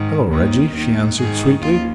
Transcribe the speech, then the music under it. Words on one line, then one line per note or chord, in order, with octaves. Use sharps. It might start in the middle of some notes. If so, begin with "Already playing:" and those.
"Hello, Reggie!" she answered sweetly.
Already playing: G#2 D#3
D#2 D#3
D#2 D#3
G#2 D#3 G#4
D#2 F4